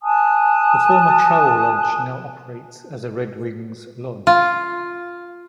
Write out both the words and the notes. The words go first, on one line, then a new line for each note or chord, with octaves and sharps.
The former Travelodge now operates as a Redwings Lodge.
G#5 A5 D#6 F#6
F4